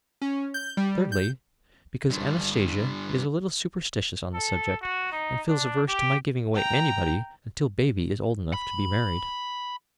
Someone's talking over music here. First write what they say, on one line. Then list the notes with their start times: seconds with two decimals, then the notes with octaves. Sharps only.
Thirdly, because Anastatia is a little superstitious on the subject and feels averse to my giving away anybody until baby is old enough to be married.'
0.22 C#4
0.54 G6
0.77 G3
1.12 G6
2.10 G2 D3
4.34 A4
4.81 F#4
5.12 D#4
5.47 D4
5.88 G4
6.54 G5 A#5
8.53 B5